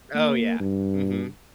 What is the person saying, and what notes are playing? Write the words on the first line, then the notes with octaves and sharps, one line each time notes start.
Oh, yeah, mhm.
A#3
G2